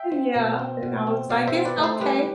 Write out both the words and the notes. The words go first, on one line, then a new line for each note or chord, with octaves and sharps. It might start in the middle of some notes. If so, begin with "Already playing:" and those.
And, yeah, and I was like, "It's okay."
Already playing: E5 G5
C4
B2
C4
B2
C4
B2 D5 F5
C5 E5
C4
B4 D5
A3
A4 C5
G3 G4 B4